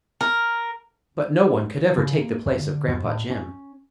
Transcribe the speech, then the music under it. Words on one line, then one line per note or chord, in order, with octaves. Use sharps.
But no one could ever take the place of Gran'pa Jim.
A#4
C#3
A#3
E2
D3
F2
A2
C#4